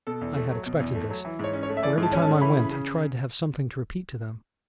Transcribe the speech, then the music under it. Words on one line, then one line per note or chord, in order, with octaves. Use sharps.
I had expected this; for, every time I went, I tried to have something to repeat to them.
B2 A4
E2
A3
F#3
B2
E2
A3
F#3
E3
G#2 C#5
C#4
C#5
A3
E5
E3 D5
G#2
A5
C#4
A5
A3
E3 B5
C#3
C#3